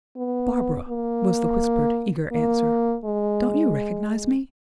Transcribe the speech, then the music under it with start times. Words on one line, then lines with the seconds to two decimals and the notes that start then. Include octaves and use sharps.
"Barbara," was the whispered, eager answer, "don't you recognize me?"
0.17 B3
0.89 A#3
2.32 A#3
3.05 G#3